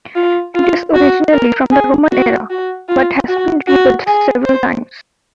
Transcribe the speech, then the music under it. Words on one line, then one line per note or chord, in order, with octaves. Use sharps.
It is originally from the Roman era, but has been rebuilt several times.
F4
F4
F#4
A#4
G#4
F#4
F#4
F4
F#4
F#4
G#4
C5